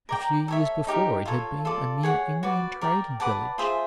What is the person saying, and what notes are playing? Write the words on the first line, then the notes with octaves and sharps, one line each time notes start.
A few years before it had been a mere Indian trading village.
A#4 D5 G5 A#5
A4 C#5 E5
D#4 G4 A#4
F4 A4 C#5
F4 A4 D5
G#4 C#5 F#5
F#4 B4 D5
A#4 D5 G5
B4 D5 F#5 A5
F4 G#4 C5 E5